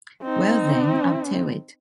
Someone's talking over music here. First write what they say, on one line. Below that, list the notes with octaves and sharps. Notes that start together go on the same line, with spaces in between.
Well then, I’ll tell it.
C4 D#4